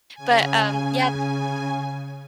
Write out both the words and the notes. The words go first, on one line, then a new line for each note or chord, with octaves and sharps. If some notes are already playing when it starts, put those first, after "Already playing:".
But, um, yeah, th
C#3 G#5